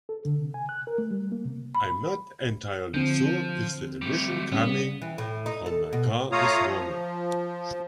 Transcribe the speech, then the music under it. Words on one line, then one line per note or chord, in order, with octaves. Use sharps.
I'm not entirely sure if the emission coming from my car is normal.
A4
D3
C3
G#5
F#6
A#4
A3
G3
A#3
C3
B5
D3 F3 C4
G3 A3
C#3 G3 B3
E3
A2
D#4
A4
B2
A3 F4 C#5 F5 A#5 D#6
F3